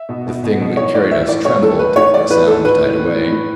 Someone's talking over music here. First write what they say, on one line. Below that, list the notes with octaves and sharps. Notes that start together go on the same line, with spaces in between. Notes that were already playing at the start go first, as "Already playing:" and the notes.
The Thing that carried us trembled--the sound died away.
Already playing: E5
B2
B2
B2
B2
E3 C#5
A2 D5
E3 E5
A2 D5
E3 C#5
A2 A4
E3 B4
A2 C#5
E3 D5
A2 B4
E3 A4
A2 B4
E3
A2
E3
A2